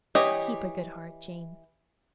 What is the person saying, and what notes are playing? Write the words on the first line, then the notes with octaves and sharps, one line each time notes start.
'Keep a good heart, Jane.
E3 G4 C#5 D#5